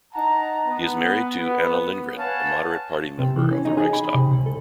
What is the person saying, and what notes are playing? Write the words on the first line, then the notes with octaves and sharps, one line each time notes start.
He is married to Anna Lindgren, a Moderate Party member of the Riksdag.
D#4 F#5 A5 A#5
B3
B4 C#5 F5 F#5 G#5 A5
C3
E3
C#4
D#4
G#4
B5
C3
C#2
A4